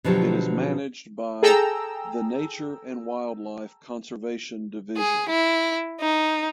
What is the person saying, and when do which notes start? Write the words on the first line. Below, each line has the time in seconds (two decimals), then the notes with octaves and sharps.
It is managed by the Nature and Wildlife Conservation Division.
0.04 B2 D3 F3 F#3 G4
1.43 G#4 A4 G5 A#5 E6
4.97 G#4
5.29 E4
6.01 D#4